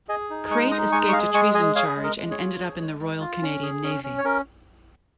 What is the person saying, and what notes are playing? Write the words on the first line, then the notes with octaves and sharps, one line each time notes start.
Crate escaped a treason charge and ended up in the Royal Canadian Navy.
G#4 D#5 G#5
D#4
G#3 G#5 C#6
D#4 A#5 D#6
G#3 G#5 C#6
C#6
G#4 F5 A#5
G#3 G#5 C#6
G#4 D#5 G#5
G#4 C#5 F5
G#3
A#4 D#5
G#3
G#4 C#5
F4
G#4
G#3
G#3
F4
C#4
G#4
C#4
C#4
C#5
C#4 A#4